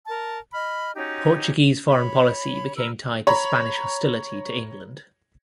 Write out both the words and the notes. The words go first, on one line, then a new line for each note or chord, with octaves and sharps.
Portuguese foreign policy became tied to Spanish hostility to England.
A#4 A5
D#5 B5 F6
C#4 D#4 F#4 G4
C#5 B5
A#4 B4 E6
C#5 A#5 B5